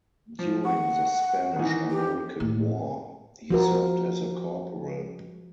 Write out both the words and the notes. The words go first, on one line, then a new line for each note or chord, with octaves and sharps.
During the Spanish-American War, he served as a corporal.
F3
F#5 C#6
D#3 E3
G4
A2
F3 F#4 A#4